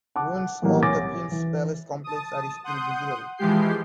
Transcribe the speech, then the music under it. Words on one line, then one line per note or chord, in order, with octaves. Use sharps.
Ruins of the Prince's Palace Complex are still visible.
F#5 A5 D6
A2 E3 F#3 G3 A#3 B3
C3 C#5 G#5 D6 A6 A#6
E3
A5 D#6
F#5 C6 D#6 G6
E3 F3 G#3 G4 G6 C7